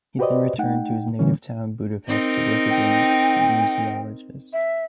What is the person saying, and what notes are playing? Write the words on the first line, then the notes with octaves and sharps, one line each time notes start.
He then returned to his native town Budapest to work as a museologist.
F#4 G4 B4 C5 D5 D#5
A3 D#4 F#5 G5
D3 E3 G3 A#3 C#4
C4 D#4 A#4
G5
E5